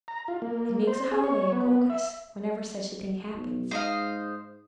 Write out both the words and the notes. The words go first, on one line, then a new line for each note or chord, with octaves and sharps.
It makes a holiday in Colchis whenever such a thing happens.
A#5
F4
A#3
C5
G#4
C#5
B3
E5
B1
G#2 C5 D#5 F5